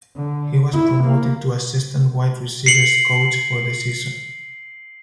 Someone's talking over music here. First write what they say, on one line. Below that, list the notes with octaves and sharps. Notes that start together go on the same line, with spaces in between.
He was promoted to assistant wide receivers coach for the season.
D3
E4
A#3
C7 C#7 F#7